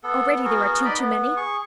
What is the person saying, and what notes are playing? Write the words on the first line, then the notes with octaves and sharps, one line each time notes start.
Already there are two too many.
B3 A4
B3 F#4 G#4 A#4
D#4 D5 D#5 B5
B3
G#4 C#6